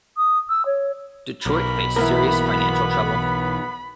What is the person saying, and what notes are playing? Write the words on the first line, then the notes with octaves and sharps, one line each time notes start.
Detroit faced serious financial trouble.
D#6
E6
C#5
B1 A#4 B5
E3 A#3 B3 A#4